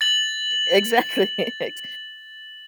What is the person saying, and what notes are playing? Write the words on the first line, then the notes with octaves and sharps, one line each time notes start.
E exactly, ex
A6 F#7